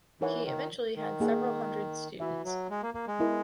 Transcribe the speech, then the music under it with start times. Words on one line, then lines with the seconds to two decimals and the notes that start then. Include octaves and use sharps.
He eventually had several hundred students.
0.21 E3 D#4 A#4 C#5 F#5
0.45 D#3
0.96 D#3
1.20 A#3 D#4 G#4 D#5 F#5
2.19 E3 F#4 B4 E5
2.45 F#3
2.70 G#3
2.83 A#3
2.94 A#3
3.08 G#3
3.19 B3 E4 A#4 D#5